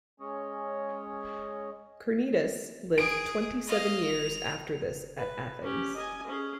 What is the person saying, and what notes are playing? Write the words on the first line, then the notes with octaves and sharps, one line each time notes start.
Carneades lived twenty-seven years after this at Athens.
G#3 C#4 C#5 D#5
G#4 D7
D#5 F5
F7
B4
C#4 G4
D#5 G#5
C#4 G#4